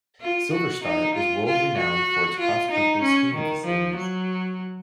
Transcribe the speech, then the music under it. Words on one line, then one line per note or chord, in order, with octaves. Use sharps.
SilverStar is world-renowned for its Cross-Country Skiing facilities.
F4
F#4
D#4
F4
F4
F#4
F4
D#4
C#4
D#3
F3
F#3